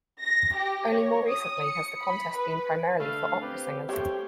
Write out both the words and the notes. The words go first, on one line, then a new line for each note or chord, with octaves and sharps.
Only more recently has the contest been primarily for opera singers.
A#6
G4
C#5
D#6
C#7
B5
B4
D3 A3 F5
C4 G4 B4
G3 A3 C5 C#5 G5